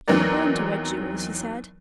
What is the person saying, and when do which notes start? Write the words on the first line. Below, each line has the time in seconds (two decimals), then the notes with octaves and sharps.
"You were born to wear jewels," he said.
0.08 E2 F#3 C4 D#4 A#4 D5